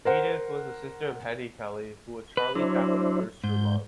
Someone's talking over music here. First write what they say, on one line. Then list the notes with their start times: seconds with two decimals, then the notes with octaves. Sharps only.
Edith was the sister of Hetty Kelly, who was Charlie Chaplin's first true love.
0.05 A#4 C5 F#5
2.37 B4
2.55 F#3 D4 E4 C5
3.44 G#2 G6